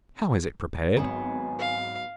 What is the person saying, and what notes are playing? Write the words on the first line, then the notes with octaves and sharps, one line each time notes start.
How is it prepared?
G#1 F#3 B3 G#5
F5